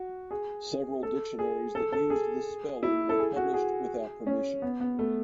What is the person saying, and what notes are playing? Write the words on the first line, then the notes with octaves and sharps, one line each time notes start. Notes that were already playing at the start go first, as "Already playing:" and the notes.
Several dictionaries that used this spelling were published without permission.
Already playing: F#4
G#4
A4
G#4
A4
A4
G#4
E4
A4
G#4
F#4
G#4
C#4
B3
B3
A3